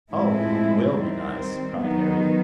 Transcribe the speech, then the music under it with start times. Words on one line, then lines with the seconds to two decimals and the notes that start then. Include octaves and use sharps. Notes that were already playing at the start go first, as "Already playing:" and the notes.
"Oh! it will be nice!" cried Harry.
0.10 A2 F3 G#3 C4 E4
0.95 D#3 G3 C4
1.81 D#3 F#3 B3 D#4